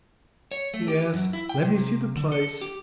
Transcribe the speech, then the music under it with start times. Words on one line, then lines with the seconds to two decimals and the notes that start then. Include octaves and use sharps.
Yes, let me see the place.
0.52 C#5
0.74 A3
0.88 G4
1.13 F#2
1.33 E4
1.49 G5
1.65 C3
2.17 D3
2.32 A4
2.61 G4